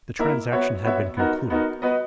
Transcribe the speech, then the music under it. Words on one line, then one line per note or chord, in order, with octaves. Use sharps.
The transaction had been concluded.
A#3 E4 A#4 E5
B3 F#4 C#5 E5
B3 F#4 C#5 E5
B3 D#4 F#4 A#4
B3 D#4 F#4 A#4
B3 F#4 B4 D#5